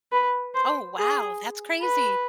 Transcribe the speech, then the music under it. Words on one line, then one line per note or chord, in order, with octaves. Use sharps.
Oh, wow, that's crazy.
B4
C5
G#4
B4